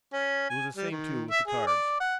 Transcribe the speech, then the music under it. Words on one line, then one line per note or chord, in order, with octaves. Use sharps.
It was the same too with the cards.
C#4
G#5
G3
D#3
E5
G#4
D5
F#5